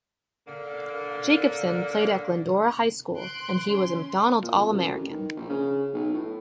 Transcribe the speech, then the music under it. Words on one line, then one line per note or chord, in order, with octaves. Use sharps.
Jacobsen played at Glendora High School, and he was a McDonald's All-American.
D3 A#3
C6 F#6 D7
C#4 C6
A#2
F2
F#2
A1
D#3
A#1
C#3
B1
A2